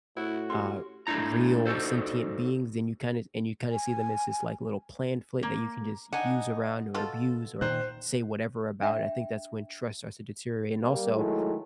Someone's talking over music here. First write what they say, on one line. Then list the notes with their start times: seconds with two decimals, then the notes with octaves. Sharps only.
uh, real sentient beings, then you kinda and you kinda see them as this, like, little plan flip that you can just use around or abuse or say whatever about, I think that's when trust starts to deteriorate and also,
0.17 A2 E4 F#4 C5
0.50 C#4 G4 C6
1.07 A3 D4 E4 A#5
1.66 D#4 F#4 G#4 A4 C5
3.71 G#5
5.43 A#3
6.13 D4 D#4 F#5 G#5
6.94 B2 F4 A4
7.61 A#2 D#3 C5 F#6
8.82 D4 E5 G5
10.83 G3 A#3
11.15 D#3 F#3 G#3 A3 E4